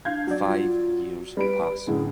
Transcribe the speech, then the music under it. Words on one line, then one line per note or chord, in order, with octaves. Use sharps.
Five years pass.
D4 F5 G6 G#6
F#3 D5
F4
G3 B4 B5 D7
F#2 A2 D3 G#4